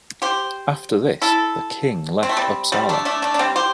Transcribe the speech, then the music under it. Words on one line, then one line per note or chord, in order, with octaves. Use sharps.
After this, the King left Uppsala.
G4 C5
E4 A4
C4
A3
G3 C4
G3 C4
A3 D4
A3 D4
A3 D4
D4
G3 C4
G4 C5